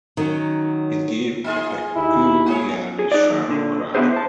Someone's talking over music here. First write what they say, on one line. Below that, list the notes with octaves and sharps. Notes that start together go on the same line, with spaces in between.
It gave a peculiarly sharp cry.
D#3 F#3 C#4
D#4 F4 G#4
D#2 E4
F4 G#4 C#5
G#4
D#4 D5
D#2
A#2 D3
D3 B3 E4 F#4 G#4 C5
C5 A5